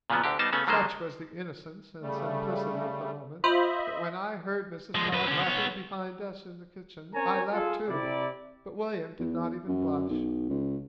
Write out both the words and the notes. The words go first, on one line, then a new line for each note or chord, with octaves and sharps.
Such was the innocence and simplicity of the moment that when I heard Mrs. Todd laughing behind us in the kitchen I laughed too, but William did not even blush.
A#2 C#3 F3 F#3 B3
D2 D3 G4
G3 B3 D#4 C5 A5
C#3 A3 B3 C#4
D3 D#3 G3 G#3 A#3 C5
C#3 G3 A3
F4 C5 D#5 E5 B5
F3 G#3
F#2 B4
D3 C#4
B3 C#5
C4 C#4 A#4 C#5 G#5 A#5
F4 G#4 A4
C3 E4 D5
E2
F#2
B1
C#2